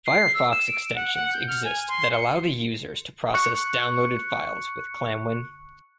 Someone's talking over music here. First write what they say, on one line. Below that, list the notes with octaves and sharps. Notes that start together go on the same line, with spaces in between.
Firefox extensions exist that allow the users to process downloaded files with ClamWin.
C7
E6
E7
D7
F#5
F#5
G6
F6
G#5
C6
C#7
C#6 F#6 C#7